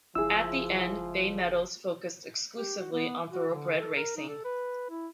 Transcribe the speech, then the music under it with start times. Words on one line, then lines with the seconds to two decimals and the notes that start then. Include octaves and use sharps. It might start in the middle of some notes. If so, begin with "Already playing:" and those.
At the end, Bay Meadows focused exclusively on thoroughbred racing.
0.15 F#1 F3 E4 G#4 E6
2.57 G4
2.81 F#4
2.93 B3
3.32 F#4
3.51 D3
3.78 A4
3.96 A#4
4.17 D#4
4.29 A4
4.45 B4
4.90 E4